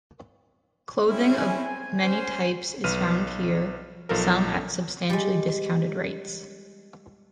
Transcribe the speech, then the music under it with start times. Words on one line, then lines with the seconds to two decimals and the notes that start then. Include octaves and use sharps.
Clothing of many types is found here, some at substantially discounted rates.
1.07 G3 C4 C#4 E4
1.38 G#5
2.01 C#4 C5
2.84 B1 B4 F6 D#7
4.09 B1 F3 A4 A#4
5.10 G3 G#3